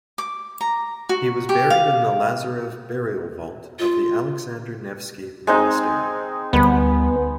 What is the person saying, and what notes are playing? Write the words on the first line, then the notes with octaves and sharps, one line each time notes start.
He was buried in the Lazarev burial-vault of the Alexander Nevsky Monastery.
D6
A#5
F#4
G4
F5
F4
G#3 C4 D#4
D2 G3 B3 B5